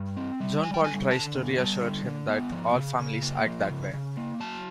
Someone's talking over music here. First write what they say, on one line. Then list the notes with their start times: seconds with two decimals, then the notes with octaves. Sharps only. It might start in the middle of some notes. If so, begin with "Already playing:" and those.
John Paul tries to reassure him that all families act that way.
Already playing: G2
0.16 C4
0.40 G3
0.63 G3 G#5
0.74 G5
0.84 D3 G#5
1.10 D3 A5
1.35 B3
1.58 G3 A5
1.81 D3
2.06 D3
2.28 B3
2.52 F3
2.76 C#3
2.99 C#3
3.23 A#3
3.46 F3
3.70 C#3
3.93 C#3
4.17 A#3
4.40 F#3 A5